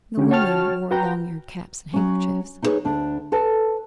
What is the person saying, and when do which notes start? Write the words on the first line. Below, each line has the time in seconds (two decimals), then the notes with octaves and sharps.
The women wore long-eared caps and handkerchiefs.
0.17 D3 C#4 F#4 G4
0.30 F#4 C#5 G5 A5 F6
0.91 F#4 B4 G5 A#5
1.93 F#3 C#4
2.62 D#4 E4 G#4 A4 B4 C#5
2.85 D2 D4
3.32 A4 B4 A5